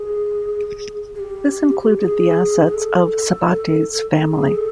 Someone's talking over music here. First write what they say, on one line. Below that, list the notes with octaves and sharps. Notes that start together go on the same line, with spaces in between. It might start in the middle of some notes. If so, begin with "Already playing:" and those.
This included the assets of Sabates' family.
Already playing: G#4
G#4
G4
G#4
G#4
A4
G#4
A4